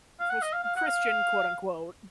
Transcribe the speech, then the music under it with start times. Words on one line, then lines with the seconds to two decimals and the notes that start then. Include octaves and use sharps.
Chris Christian, quote unquote.
0.20 F5
0.30 F#5
0.42 D#5
0.53 F5
0.63 F5
0.76 F#5
0.86 F5